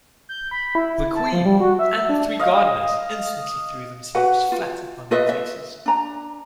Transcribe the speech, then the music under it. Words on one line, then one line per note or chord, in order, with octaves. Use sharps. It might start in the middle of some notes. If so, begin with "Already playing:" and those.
The Queen!’ and the three gardeners instantly threw themselves flat upon their faces.
G6
B5
E4
A5
F3
G3
F#4
E5
D4
D#5 F5
F#4 B4 F#5
F4
F4 B4 D#5 E5
E5
D4 A#5